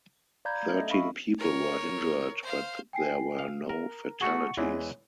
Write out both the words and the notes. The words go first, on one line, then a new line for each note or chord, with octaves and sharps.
Thirteen people were injured, but there were no fatalities.
D5 F5 A#5 B5 G6 G#6
A3 C#4
A4 D#5 E5
D#5 F5 B5 C#6
A#4 C#5
C5 F5
G5 G#5 C7
F5
A#4 A#5
A3 F#4 G#4 F#5 C#6 C#7
E2 E3 G#3 C#5